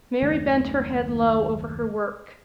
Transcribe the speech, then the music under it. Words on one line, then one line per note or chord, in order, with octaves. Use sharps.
Mary bent her head low over her work.
F#1 D#2 D#3 A3